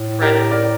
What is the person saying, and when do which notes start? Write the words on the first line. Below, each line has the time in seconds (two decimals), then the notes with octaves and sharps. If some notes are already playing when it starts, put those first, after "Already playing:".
Fred and-
Already playing: A2
0.22 G4 A#4
0.51 A#4 D5